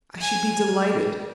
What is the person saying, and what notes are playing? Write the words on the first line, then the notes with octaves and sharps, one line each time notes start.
"I should be delighted."
G#5